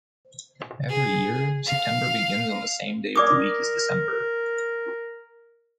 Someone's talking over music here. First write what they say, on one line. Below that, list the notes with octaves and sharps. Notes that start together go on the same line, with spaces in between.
Every year, September begins on the same day of the week as December.
G#4
F5
A#4 D5 D6 D#6